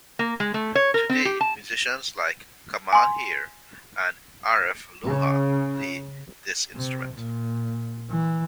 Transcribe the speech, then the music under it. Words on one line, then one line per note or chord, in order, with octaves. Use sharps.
Today, musicians like Kamal Heer and Arif Lohar play this instrument.
A#3
G#3
A3
C#5
A#4
C4
G4
A5
G#5 C6
C#3
C3
A#2
E3